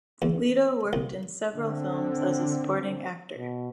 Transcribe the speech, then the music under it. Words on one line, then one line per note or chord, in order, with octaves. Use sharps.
Lito worked in several films as a supporting actor.
E2
C2
D3 C4
B2